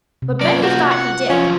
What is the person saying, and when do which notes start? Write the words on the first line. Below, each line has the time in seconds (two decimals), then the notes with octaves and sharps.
But Benny thought he did.
0.22 C3
0.41 F#3 A#3 C#4 F4 D5
0.63 A#3 F#4 C5
0.92 F#5
1.30 F3 F#3 C#4 F4